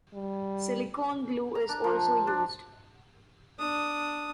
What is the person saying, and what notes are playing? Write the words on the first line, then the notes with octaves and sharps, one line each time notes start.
Silicone glue is also used.
G3
A#5
D4
F3
D4
D4 D#6